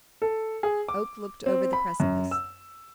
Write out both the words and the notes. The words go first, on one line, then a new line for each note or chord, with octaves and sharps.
Oak looked over the precipice.
A4
G#4
D6
C4
B5
F#2
E6